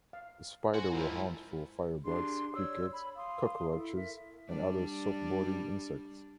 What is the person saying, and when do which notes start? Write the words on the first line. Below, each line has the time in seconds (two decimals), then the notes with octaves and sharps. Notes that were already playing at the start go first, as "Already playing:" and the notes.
The spider will hunt for firebrats, crickets, cockroaches, and other soft-bodied insects.
0.13 F5
0.74 F#4 C5 F#5 G#5 C6
0.93 G#2 F3 E4 F4 A#4 A#5
2.05 D4 G4 G#4 C6
2.54 C#5 D5 E6
2.93 B5
3.16 F5 C6 D#6
3.72 E4 A4
3.95 A#4 E5
4.49 G3 D4